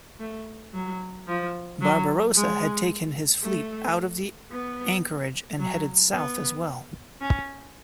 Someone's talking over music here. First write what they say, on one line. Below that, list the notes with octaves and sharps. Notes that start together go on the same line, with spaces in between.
Barbarossa had taken his fleet out of the anchorage and headed south as well.
A3
F#3
F3
F#3
G#3
A3
B3
F#3
B3
C#4